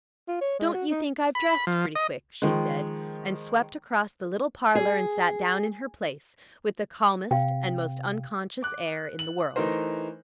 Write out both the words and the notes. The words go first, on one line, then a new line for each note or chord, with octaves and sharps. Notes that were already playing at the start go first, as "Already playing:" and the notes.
"Don't you think I've dressed pretty quick?" she said, and swept across the little parlor, and sat down in her place, with the calmest and most unconscious air in the world.
F4
C#5
G#3
F#4
D#4
B5
F3
D#5
D#3 F3 G#3
G#4
C3 F5 G5
D6 F#6
F#7
E3 A3 D#4 A#4 C5